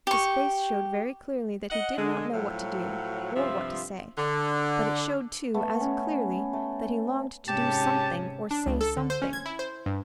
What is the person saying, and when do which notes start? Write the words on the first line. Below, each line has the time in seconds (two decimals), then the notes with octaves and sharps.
His face showed very clearly that he did not know what to do, or what to say; but it showed, too, as clearly, that he longed to do something, or say something.
0.07 G4 C#6
1.71 D#5 F#5
1.97 D3 G#3
2.33 A2 F3 F#3
3.36 G2 C3 F3 F4 E5
4.18 D3
5.54 A3 B3
5.80 C#4
6.53 A3
7.48 G#2 C3 C#4 G4 A5
8.51 D4
8.66 C#2
8.81 A4
8.97 D3
9.10 C5
9.22 C#4
9.33 G#6
9.46 E4
9.59 C5
9.86 G2